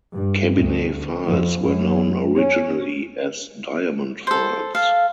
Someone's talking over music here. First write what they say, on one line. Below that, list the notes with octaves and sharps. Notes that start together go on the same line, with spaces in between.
Cabinet files were known originally as Diamond files.
G2
D2
F2
F#2
C#4
A4 C5
A4 F5